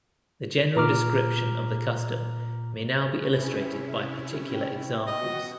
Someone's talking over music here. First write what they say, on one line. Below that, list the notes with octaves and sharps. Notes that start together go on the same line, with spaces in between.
The general description of the custom may now be illustrated by particular examples.
A#2 A#5 D6 F6
C3 C#4 E4 G#4
G5
B2 F#4 D#5